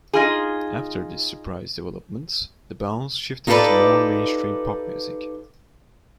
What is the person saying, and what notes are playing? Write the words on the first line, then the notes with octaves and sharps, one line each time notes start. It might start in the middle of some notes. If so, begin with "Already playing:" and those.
After this surprise development, The Bounce shifted to more mainstream pop music.
D#4 F4 G#4
D#4 F4 G4 A4 B4 D5